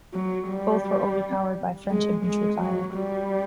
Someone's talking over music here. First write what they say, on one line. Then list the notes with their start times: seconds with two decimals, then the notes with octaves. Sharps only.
Both were overpowered by French infantry fire.
0.14 F#3
0.49 G3
1.90 G#3
2.25 G#3
2.60 F#3
2.95 G3